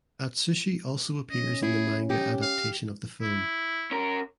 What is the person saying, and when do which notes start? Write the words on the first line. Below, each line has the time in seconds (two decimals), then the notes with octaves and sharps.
Atsushi also appears in the manga adaptation of the film.
1.31 C#4 D#5
1.62 E4 G#4
2.10 D#4 G4
2.42 F5
3.22 E4
3.91 C#4 A#4